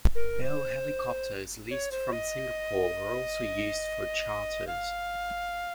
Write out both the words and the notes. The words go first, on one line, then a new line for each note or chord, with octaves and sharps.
Bell Helicopters leased from Singapore were also used for charters.
A#4
C5
C#5
C5
D#5
F5